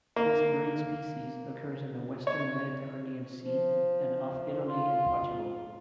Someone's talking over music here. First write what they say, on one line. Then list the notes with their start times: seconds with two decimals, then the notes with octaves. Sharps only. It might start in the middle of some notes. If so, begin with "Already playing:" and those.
This marine species occurs in the Western Mediterranean Sea and off Italy and Portugal.
0.16 A#3
2.27 C#5
3.40 F3
4.65 F4